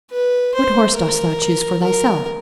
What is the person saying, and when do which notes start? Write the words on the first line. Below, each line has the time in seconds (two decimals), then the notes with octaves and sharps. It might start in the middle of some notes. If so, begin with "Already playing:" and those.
"What horse dost thou choose for thyself?"
0.11 B4
0.55 C5
0.96 A#4
1.82 A#4